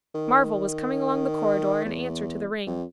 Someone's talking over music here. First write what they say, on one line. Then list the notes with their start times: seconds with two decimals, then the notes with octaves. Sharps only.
Marvel was coming along the corridor in answer to the ring.
0.15 D#3
1.85 E2
2.67 F2